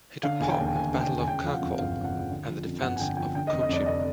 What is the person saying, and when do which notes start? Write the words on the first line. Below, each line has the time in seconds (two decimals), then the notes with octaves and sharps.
He took part in the Battle of Kircholm, and the defense of Chocim.
0.23 D3 F5
0.40 E1 G#5
0.50 G5
0.58 D#2
0.67 G5
0.74 E1 G#5
0.93 D3
1.01 G5
1.10 E1
1.21 G#5
1.27 C#3 G5
1.44 F3 F5
1.53 F#5
1.61 F2
1.78 G1 F5
1.97 C#3
2.04 F#5
2.13 F3
2.30 D3
2.48 F3
2.66 F2
2.82 G1 F#5
2.96 G#5
3.00 D3 G5
3.17 F3 G5
3.35 D3 G5
3.47 D#5
3.52 F1
3.61 D#5
3.69 F2 D5
3.86 F1 D#5